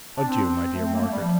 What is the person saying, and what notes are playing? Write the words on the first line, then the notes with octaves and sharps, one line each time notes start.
Adieu, my dear Margaret.
D4
C4
A3
C4
A#3
A3
G3
F3